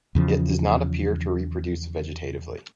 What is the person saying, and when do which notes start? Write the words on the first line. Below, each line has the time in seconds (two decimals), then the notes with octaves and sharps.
It does not appear to reproduce vegetatively.
0.15 E2 C#3 F3